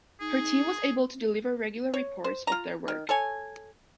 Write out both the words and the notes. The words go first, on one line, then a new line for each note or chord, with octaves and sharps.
Her team was able to deliver regular reports of their work.
D#4 G#4
C#5
C5
F4 A#5
D#3
A4 C#5 G#5